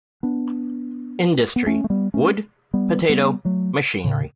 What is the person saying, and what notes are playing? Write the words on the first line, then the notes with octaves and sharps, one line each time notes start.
Industry: Wood, potato, machinery.
B3 D4
B3
A3 C#4
A3
G3 B3
A3 C#4
G3 B3
G3 B3
F#3 A3
A2 C#3